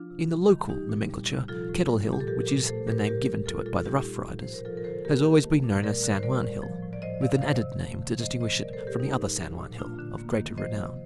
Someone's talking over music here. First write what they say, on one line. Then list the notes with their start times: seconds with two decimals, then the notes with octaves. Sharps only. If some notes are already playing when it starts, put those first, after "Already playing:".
In the local nomenclature Kettle Hill, which is the name given to it by the Rough Riders, has always been known as San Juan Hill, with an added name to distinguish it from the other San Juan Hill of greater renown.
Already playing: F3 D4 F4
0.10 C3
0.30 G3
0.49 D#3
0.69 G3 D#4 G4
0.89 A#2
1.09 G3
1.30 C3
1.48 F3 F4 A4
1.69 A2
1.89 G3
2.08 A#2
2.13 G4
2.20 A4
2.27 F3 G4 A#4
2.48 A#2
2.67 A3 A4 C5
2.87 A#2 G4 A#4
3.07 G3 G4 A#4
3.26 A#2
3.46 G3 F4 A4
3.66 A#2 F4 A4
3.85 G3 D#4 G4
4.05 A2
4.25 F3
4.42 C3 C5
4.53 A#4
4.65 F3 F4 A4
4.77 A#4
4.84 D3 A4 C5
5.05 A#3 G4 A#4
5.24 D#3
5.44 A3
5.64 A#2
5.83 G3 A#4 D5
6.03 D3
6.18 C5
6.23 G3 A#4 D5
6.43 A2
6.62 F3
6.82 A2
6.93 D5
7.02 F3 C5 D#5
7.21 C3 D5 F5
7.37 F5
7.41 D#3 C5 D#5
7.61 C3
7.82 A3
8.01 D#3
8.20 F3 C5 D#5
8.40 A#2 C5 D#5
8.60 G3 A#4 D5
8.73 A4 C5
8.80 A2
8.87 G4 A#4
8.99 G3 D#4
9.20 A2
9.39 F3
9.58 A#2
9.78 A3 D4 F4
9.99 D3
10.18 A#3
10.38 D#3
10.58 F3 C5 D#5
10.78 C3